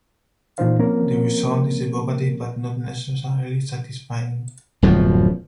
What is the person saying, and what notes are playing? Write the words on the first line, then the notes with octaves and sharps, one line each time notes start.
The result is evocative but not necessarily satisfying.
A#2 E3 D#4 F4 C5 F5
F3 A#3 C4 C#4 A#4
D1 F#2 B2 F3